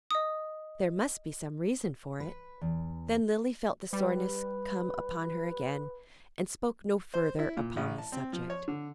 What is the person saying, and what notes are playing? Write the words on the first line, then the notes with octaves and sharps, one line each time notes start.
"There must be some reason for it." Then Lily felt the soreness come upon her again, and spoke no further upon the subject.
D#5 D#6
B4
E2
G3 B4
C5
E4
A#2
A1
A5
C4
F3
C#5
D3